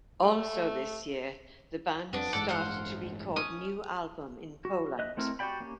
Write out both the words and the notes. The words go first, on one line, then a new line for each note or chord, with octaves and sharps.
Also this year the band start to record new album in Poland.
A3
F2 B3 D4
A1 G2 G#3 A4 D5 F#5
C5 F5 F#5
C#4 D#6
F#4
D#5 E5 F#6
A3 C4 E4 A#4
F#4 G4 D5 G5 B5
A#3 C#4 G4